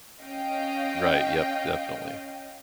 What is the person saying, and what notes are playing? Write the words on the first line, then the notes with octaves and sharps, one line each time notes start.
Right, yep, definitely.
C#4 D#5 F5 G5